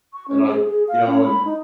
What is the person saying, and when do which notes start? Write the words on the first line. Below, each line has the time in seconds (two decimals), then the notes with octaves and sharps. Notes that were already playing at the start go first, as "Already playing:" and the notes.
and I you know, and
0.13 C#6
0.28 C#4
0.48 G#4
0.66 G#4
0.88 F5
1.07 C#4
1.24 B5
1.45 D#4